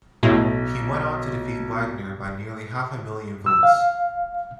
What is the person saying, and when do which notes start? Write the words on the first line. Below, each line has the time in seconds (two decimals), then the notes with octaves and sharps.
He went on to defeat Wagner by nearly half a million votes.
0.23 B1 A2
3.46 E6
3.63 F5